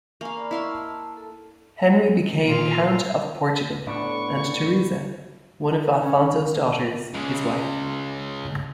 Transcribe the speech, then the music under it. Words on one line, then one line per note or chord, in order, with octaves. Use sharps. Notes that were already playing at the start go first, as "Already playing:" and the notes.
Henry became count of Portugal and Theresa, one of Alfonso's daughters, his wife.
A#3 F5 G#5 C#6
D5 B5
E4 D#5 F5 C6 C#6
A5
A4
A#2 F4
A2 B3 D4 C#6
C#4
C#3 G#3